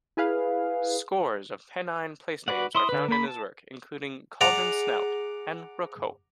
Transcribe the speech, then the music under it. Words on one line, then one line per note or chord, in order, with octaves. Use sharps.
Scores of Pennine place-names are found in his work, including Cauldron Snout and Rookhope.
E4 G#4 B4 F5
F#4 B4 D5 F#5
E4 C6 D#6
D3 B4
A#3 B5
A5
G#4 D5 F#5 A#5